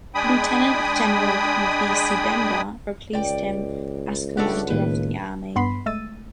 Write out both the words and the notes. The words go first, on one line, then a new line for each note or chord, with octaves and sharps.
Lieutenant General P. V. Sibanda replaced him as Commander of the Army.
G#3 D4 G5 G#5 B5 D#6
C#2 D5 G5
A3 D4 G4 A4 F#5
A2 D#3 A#3 B4
G2 B3 B5 C6 B6 C7
G#3 A3 E6 A6 D#7